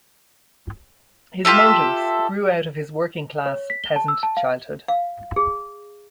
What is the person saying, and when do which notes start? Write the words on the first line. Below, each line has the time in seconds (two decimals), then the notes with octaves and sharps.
His motives grew out of his working-class peasant childhood.
1.45 F4 G4 A4 E5
3.46 C#5
3.70 B6
3.84 G7
3.96 A5
4.08 E6
4.23 A5
4.37 F5
4.88 F5
5.36 G#4